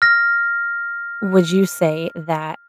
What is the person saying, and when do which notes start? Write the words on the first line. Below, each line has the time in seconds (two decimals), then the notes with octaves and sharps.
would you say that
0.02 F6 A#6